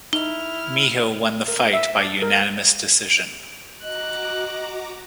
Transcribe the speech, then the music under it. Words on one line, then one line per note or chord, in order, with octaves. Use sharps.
Miho won the fight by unanimous decision.
D#4 E4 F6 G7
A#4
E5
D5
A#4
F#4 D#5 A#5 D6 F#6